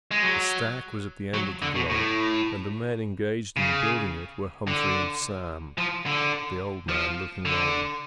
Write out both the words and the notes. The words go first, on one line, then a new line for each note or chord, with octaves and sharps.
The stack was at the end of the dwelling, and the men engaged in building it were Humphrey and Sam, the old man looking on.
G#3
F#3
F#3
D3
B2
A2
C#3
D3
F3
D3
F3
D3